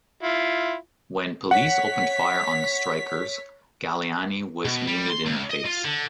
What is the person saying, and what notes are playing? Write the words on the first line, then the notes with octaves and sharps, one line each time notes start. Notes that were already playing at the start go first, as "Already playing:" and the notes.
When police opened fire on the strikers, Galleani was wounded in the face.
E4 F4
C#5 F#5 B6
B2
G3
C6
C#2
D#5
F4
D3